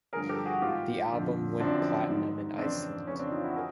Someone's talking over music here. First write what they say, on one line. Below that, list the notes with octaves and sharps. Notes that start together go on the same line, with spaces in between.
The album went platinum in Iceland.
G2 D3 F3 G#4 A#4
G4 A4
F#4 G#4
G#2 D#3 F4 G4
F2 D3 F3
F#2 D3 F3 C4 D4
G#2 D#3
F2 C#3 E3 C4 D4
F2 C#3 E3 C#4
C4 D4
D#4 F4
E4 F#4
G#4 A#4